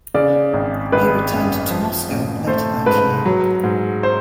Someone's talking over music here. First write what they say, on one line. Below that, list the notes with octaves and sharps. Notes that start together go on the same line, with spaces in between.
He returned to Moscow later that year.
C#3 D5
G#1
G#1 B4
F#2
F3
A1
A3 C5
G#2 B4
F#3
G#2
C5